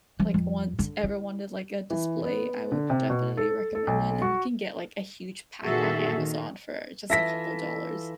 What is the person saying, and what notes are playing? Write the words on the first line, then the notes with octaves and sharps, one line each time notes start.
like, want ever wanted, like, a display, I would definitely recommend it. And you can get, like, a huge pack on Amazon for just a couple dollars.
F3
F2
D3
E4
E3
B3
D3
C3
B2
A4
A4
B1
F#4
A#2 D#3 F#4 G#4 A4 E5
D#3
E3 F4 A4 E5 A#6 B6